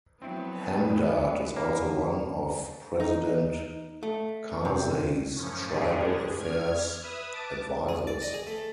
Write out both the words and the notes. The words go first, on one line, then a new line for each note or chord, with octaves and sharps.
Hamdard is also one of President Karzai's tribal affairs advisors.
F3 F#3 A3 B3 C4 E4 B4
F#2 A#3 E5 B5
D#4
A3
C3
F#2 A2 F3 C#4
G#3 C#4 D4 G4 G#4
F6 G#6
B4 E5 D#6
A5 D6
G#4
D5
D#5
G#4
A3